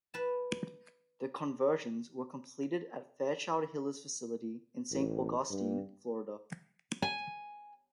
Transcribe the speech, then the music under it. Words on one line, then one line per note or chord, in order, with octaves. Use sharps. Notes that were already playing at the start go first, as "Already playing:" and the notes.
The conversions were completed at Fairchild-Hiller's facility in Saint Augustine, Florida.
B4 A5
A1
G2
G#5